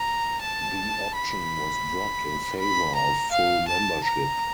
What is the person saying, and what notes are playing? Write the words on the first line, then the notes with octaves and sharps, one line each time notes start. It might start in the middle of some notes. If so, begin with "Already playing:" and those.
The option was dropped in favor of full membership.
Already playing: A#5
A5
B5
B5
A#5
F5
A5
A#5